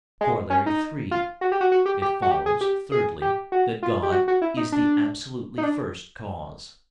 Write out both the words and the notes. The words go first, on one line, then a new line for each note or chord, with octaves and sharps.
Corollary III.--It follows, thirdly, that God is the absolutely first cause.
G#3
C#4
D#4
F4
F#4
G4
F#4
F#4
G4
G4
F#4
G4
G#4
G4
G#4
G4
F#4
F4
G4
F#4
F#4
E4
D#4
D4
D#4
D4